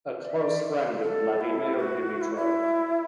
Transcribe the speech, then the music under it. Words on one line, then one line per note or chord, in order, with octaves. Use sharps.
A close friend of Vladimir Dimitrov.
D5
E5
D5
A4
E4
G4
F#4
E4
E4